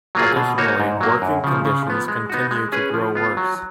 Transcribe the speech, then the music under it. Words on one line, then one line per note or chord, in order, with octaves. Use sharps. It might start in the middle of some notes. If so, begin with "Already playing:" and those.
Additionally, working conditions continue to grow worse.
F#3 A#3 F4 G#4
B2
A#3 D#4 F#4 C#5
G#2
F#3 A#3
F#2
C#3 F3
C#3
F3 B3
G#3
B3 D#4 F#4
G#3
C#4 G#4 B4
F3
B3 F4
F#3